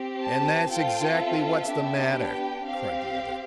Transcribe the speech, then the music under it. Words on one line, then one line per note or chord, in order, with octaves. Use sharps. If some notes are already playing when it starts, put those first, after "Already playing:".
"And that's exactly what's the matter!" cried the other.
Already playing: C4 G4
A5
C4 F4 A4 G5
E5
B3 D4 G4
G5
C4 G4 F5